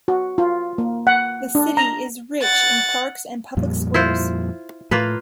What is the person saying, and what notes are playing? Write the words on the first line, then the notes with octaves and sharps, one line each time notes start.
The city is rich in parks and public squares.
F#4
F4
A#3
F#5
D4
A#5
F#5 A6
F2 A#2 G3
E4 F4 C5
A2 A#3 F4 B4